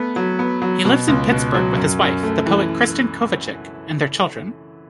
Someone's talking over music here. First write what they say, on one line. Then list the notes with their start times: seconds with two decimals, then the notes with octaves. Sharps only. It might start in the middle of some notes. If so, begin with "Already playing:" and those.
He lives in Pittsburgh with his wife, the poet Kristin Kovacic, and their children.
Already playing: A3 B3
0.16 F#3
0.39 B3
0.62 F#3
0.85 B2
1.08 C#2
1.31 B2
1.54 F#3
1.76 F#2
2.01 F#2
2.23 A3
2.46 E3